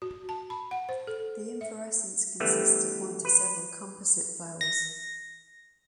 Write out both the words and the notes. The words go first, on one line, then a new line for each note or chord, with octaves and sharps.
The inflorescence consists of one to several composite flowers.
F#4
A5
B5
F#5
C5
A4
E5
D3 E3 G3 A3 B3
B4
A#6